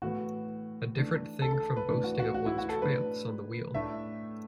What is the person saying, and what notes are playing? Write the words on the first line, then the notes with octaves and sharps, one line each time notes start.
A different thing from boasting of one's triumphs on the wheel.
A2 E3 B3 F#4
E3 A3 D4
A4
A4
B4
A2 E3 B3 D4 B4
F#4
F#4
F#4
E4
F#4
A4
A2 F#3 B3 D4 B4
A2 A3 D4 E5